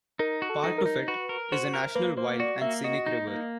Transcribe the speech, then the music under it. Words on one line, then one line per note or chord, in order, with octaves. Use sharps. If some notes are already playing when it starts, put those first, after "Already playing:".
Part of it is a National Wild and Scenic River.
D#4 A#4
F#4
A4
D#4
A#4
D#4
F#4 B4
A#4
F#4 C5
A#4
A#3 B4
A#3 C5
F#4 D5
A#3 E5
F#4 D#5
D#4
A#3